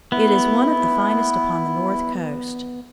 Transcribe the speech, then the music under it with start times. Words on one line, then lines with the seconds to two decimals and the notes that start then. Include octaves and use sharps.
It is one of the finest upon the north coast.
0.12 B3 E4